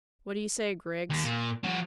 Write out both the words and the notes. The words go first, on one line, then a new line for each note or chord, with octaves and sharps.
What do you say, Griggs?
D#2
A#2
F3 F#4